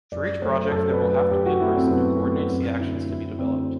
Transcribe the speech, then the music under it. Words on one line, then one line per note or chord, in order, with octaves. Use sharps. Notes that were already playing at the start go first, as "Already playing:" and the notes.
For each project there will have to be a person who coordinates the actions to be developed.
F#2 D5
A3 C5
F#3
F#2 A4
B4
F#3 A3
B4
F#2 G4
F#4
F#3 A3 E4
C4
F#2 B3
F#3 A3 B3
F#2 C4
D3 A3 E4
F#2 E4
D3 A3 C4